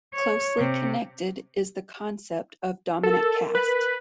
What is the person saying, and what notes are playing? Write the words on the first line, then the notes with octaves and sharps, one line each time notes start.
Closely connected is the concept of dominant caste.
C#5
C3
A4 A#4
B4